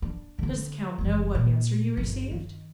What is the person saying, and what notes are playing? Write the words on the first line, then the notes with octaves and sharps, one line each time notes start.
"Does the count know what answer you received?"
D4
D3 D4
F#1 E3
A#2
G1
D#3